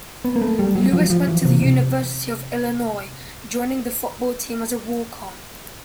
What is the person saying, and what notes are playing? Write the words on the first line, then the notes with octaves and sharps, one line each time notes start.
Lewis went to the University of Illinois, joining the football team as a walk-on.
B3
A#3
A3
G3
F#3
F3
F3
E3
C3
C3